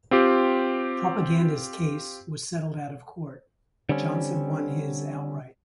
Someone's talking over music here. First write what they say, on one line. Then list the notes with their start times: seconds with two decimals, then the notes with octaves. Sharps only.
Propaganda's case was settled out of court; Johnson won his outright.
0.11 C4 F4 G4
3.89 D3 G3 C4 C#4